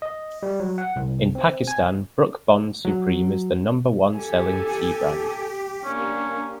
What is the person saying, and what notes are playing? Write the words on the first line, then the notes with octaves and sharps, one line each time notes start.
In Pakistan, Brooke Bond Supreme is the number-one-selling tea brand.
D#5
G3
F#3
F#5
C2
C4
G#5
F#3
G4 A4 G#5
A#3 C#4 D4